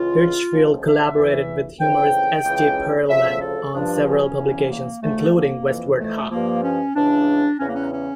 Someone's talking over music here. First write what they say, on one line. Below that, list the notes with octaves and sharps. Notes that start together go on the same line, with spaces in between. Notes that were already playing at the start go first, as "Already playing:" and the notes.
Hirschfeld collaborated with humorist S. J. Perelman on several publications, including Westward Ha!
Already playing: C#2 C#3 E3 F4
C#2 C#3 F3
E5
E2 E3
F2 C#3 E3 G5
C#2 C#3 E3
D2 C#3 F3 E5
A4
G2 F3 D4
C#4
E2 C#3 E3
A#3
E2 D3 F3 A3
A#3
F2 E3
A3
G2 F3 A#3
C#4
C#2 C#3 E3 D4
E2 C#3 E3 C#4
A#3
C#4
C#4